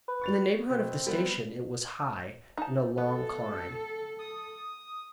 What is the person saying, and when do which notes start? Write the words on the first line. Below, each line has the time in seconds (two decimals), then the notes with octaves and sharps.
In the neighborhood of the station it was high, and a long climb.
0.08 B4
0.22 C#6 A6 F7
0.70 B2 C4
1.07 G3 B3
2.58 D#4 A5
2.98 B3 A4
4.19 D#6